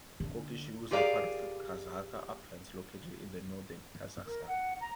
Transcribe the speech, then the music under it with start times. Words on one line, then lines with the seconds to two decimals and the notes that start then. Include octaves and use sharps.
Kokshetau hills are part of the Kazakh Uplands located in the northern Kazakhstan.
0.20 D3
0.91 F4 G4 G#4 A#4 D5 F5
4.27 A#4
4.47 F#5
4.81 A#5